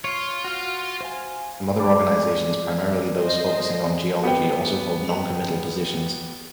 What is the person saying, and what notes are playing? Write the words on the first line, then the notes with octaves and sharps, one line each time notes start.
Some other organizations, primarily those focusing on geology, also hold non-committal positions.
F4 C#5
F#4 F6
C5 F5 G#5
G#3 D5
C5 D#5
B3 G4 G5